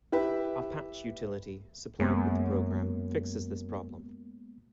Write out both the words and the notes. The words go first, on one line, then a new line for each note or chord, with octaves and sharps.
A "patch" utility supplied with the program fixes this problem.
E4 G4 B4 E5
F#2 G#3 A#3 B3